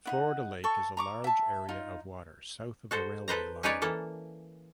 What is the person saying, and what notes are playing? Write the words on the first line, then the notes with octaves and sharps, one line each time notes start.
Florida Lake is a large area of water south of the railway line.
D#4 E4 F#5
A4 C#6
A#5 C#6 D6
E5 A5
D#4 F4
F#4 A4 C5
A4 B4 C5 A#5
C#4 D#4 G#4 B4 C#5 D5
E3 A#3 A4